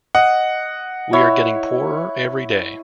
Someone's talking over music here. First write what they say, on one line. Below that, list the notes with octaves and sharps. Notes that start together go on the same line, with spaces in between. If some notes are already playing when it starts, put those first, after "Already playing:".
We are getting poorer every day.
D#5 F#5
E4 C#5